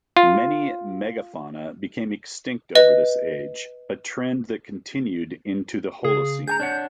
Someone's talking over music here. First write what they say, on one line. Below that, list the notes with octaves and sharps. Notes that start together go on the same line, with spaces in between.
Many megafauna became extinct over this age, a trend that continued into the Holocene.
F4
B4 D#5
C#3 G#4
G#4 G#5 A#5 G6
D4 C#5 F#5